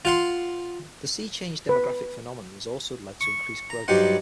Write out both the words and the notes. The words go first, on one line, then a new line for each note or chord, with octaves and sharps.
The Seachange demographic phenomenon has also led to increased growth.
F4 F#5 C6
B4
C#6
A#5
G2 F#3 G3 D#4 C5 F#5